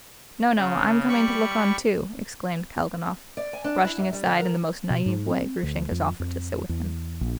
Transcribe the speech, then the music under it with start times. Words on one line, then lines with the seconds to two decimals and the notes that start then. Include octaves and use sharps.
"No, no, I'm coming to look on, too," exclaimed Kalganov, brushing aside in the most naive way Grushenka's offer to sit with him.
0.57 C#3
1.09 G3 B5 C#6
3.37 D5
3.53 G#5
3.64 D4
3.85 E4
3.99 F#2
4.13 G3
4.26 D3
4.40 A#4
4.90 B2
5.06 G#2
5.31 C4
5.63 D2
5.91 F2
6.20 F2
6.69 E2
7.21 A#1